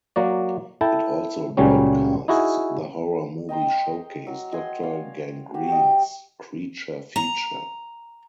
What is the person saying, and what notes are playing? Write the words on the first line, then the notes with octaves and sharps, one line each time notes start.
It also broadcasts the horror movie showcase "Doctor Gangrene's Creature Feature".
F#3 A#3 F#4 D5
E4 A4 G5 A5
C#2 A#2 C#3 F#3 G3 C#4
D#4 E4 F#4 G#4
D#5 G5 A#5 C6
F#3
D#5 F#5 G#5 C6
C#5 D5 F5
F#4 G4 F#5
D#5 G5
A#5